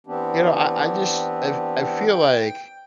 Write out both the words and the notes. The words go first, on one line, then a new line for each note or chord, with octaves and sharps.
you know, I I just, I I feel like
E3 B3 C4 D4 G4
G5